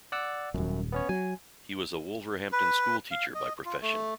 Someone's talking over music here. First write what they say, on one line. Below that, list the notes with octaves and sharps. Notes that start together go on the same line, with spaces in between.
He was a Wolverhampton school teacher by profession.
D5 F#5 E6
D#1 G#1 F#2
B3 C#4 C#5
F#3 G#5
B4
F5
D#5
F4
A3